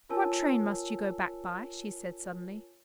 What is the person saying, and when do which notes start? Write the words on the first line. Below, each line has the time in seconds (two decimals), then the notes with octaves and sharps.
"What train must you go back by?" she said suddenly.
0.09 F4 A#4 C#5 G#5 A5 E6